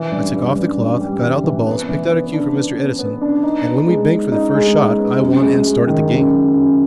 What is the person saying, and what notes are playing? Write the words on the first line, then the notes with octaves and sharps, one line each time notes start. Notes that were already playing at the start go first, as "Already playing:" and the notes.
I took off the cloth, got out the balls, picked out a cue for Mr. Edison, and when we banked for the first shot I won and started the game.
Already playing: E3
G2
G2
G2
G2
G3
E3
E3
B3
E3
B3
D4
B3
B3
B3
D4
D#4
B3
G#3
D#4
D#4
G#3
D#4
B3
F#2
G#3
G#3
D#3
F#2
F#2
F#2